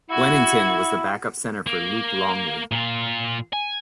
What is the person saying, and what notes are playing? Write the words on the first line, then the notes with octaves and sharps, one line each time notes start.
Wennington was the backup center for Luc Longley.
E4 F#4 G#6
A#3
A#2 F4
G#5